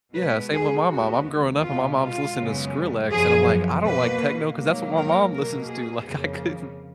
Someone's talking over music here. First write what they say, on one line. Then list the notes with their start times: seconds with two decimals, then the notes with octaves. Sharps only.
i yeah, same with my mom, I'm growing up and my mom's listening to Skrillex, and I'm like, "I don't like techno 'cause that's what my mom listens to," like, I couldn't
0.15 B2 G#3 B3 B4
0.52 G#4
0.88 D#2 D#3 G#3 B3 F#4
1.62 B2 G#3 B3 F4
2.00 F4
2.37 F#2 C#3 G#3 B3
3.11 F#2 F3 B3 G#4
3.84 B2 A#3 B4
4.58 G#2 F#3 A#3
4.96 A#4
5.32 B2 A#3 A#4
5.69 G#4
6.06 F2 C#3 F3 A#3